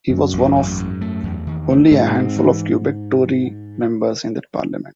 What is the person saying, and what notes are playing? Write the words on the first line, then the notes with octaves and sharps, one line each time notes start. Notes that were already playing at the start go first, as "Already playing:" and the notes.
He was one of only a handful of Quebec Tory members in that Parliament.
F#2 F#3
A1
G#2
G#2
A3
E2
D#3
A3
G#2 C4
C4
E3